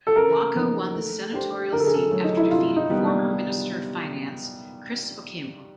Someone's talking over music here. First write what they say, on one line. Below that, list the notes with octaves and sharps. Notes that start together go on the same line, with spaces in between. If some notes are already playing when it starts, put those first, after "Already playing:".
Wako won the senotorial seat after defeating former minister of finance Chris Okemo.
A4
C#3 A#4
F3 A#3 D#4
A3
D4 G4 C5
D3 A#4
A4
G#4
A4
F#3 A3
D#4
E4
C3 F4
D#4
D#3 G3 B3
D4